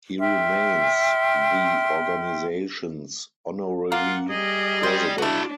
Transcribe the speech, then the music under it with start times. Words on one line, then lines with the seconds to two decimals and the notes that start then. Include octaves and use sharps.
He remains the organization's honorary president.
0.19 E5 G5 C6 F6
3.92 A#3 F4 F#5
4.30 G3 G#4 D#5
4.83 C5 D5 G5
5.18 B2 A3 D4 E4 F#4